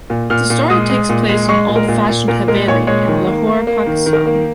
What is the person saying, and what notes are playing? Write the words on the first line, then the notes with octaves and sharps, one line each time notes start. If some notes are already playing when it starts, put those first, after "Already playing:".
The story takes place in an old-fashioned "haveli" in Lahore, Pakistan.
A#2
A#2 F6
A#2
G#3 D#6
G#3
A#2
G#3
G#3 C#6
A#2
A#4
A#2
A#2
A#2 A#4
G#3 A#4
A#2 C#5
G#3 C#5
D#3
A#3
A#3
A#3
D#3
D#3
A#4
A#3